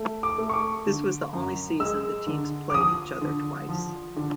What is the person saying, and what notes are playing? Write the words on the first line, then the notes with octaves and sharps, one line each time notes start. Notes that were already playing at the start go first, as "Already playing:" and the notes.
This was the only season the teams played each other twice.
Already playing: A3
D6
A3
C#6
D6
D3
F#2
G#3 E6
D3
D6
F3 D#6
D3
F3
D3